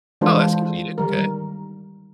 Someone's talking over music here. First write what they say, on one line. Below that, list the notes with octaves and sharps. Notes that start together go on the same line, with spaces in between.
Oh, that's convenient, okay.
E3 G#3 D4 F4 A4 C5
D#3 G3 A#4